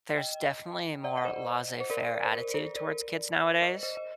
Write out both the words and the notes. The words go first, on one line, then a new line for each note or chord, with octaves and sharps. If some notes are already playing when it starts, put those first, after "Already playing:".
there's definitely a more laissez faire attitude towards kids nowadays.
D#5 G5
D5 F#5
F#5
C5 D#5
C5
A#4 D5
C5
A#4 D5
A4 C5
A#4 D5
C5 D#5
C5 D#5
D#5